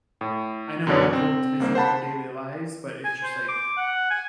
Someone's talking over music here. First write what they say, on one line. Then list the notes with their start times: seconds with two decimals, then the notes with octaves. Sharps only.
I know everyone's busy with their daily lives, but it's just like
0.21 A2
0.87 F#2 B2 D3 D4 C#5
1.13 C4
1.60 C2 A#3 C5
1.75 C5 F#5 A5 B5
3.04 G#5
3.23 C5
3.48 D6
3.77 F#5
4.10 G#5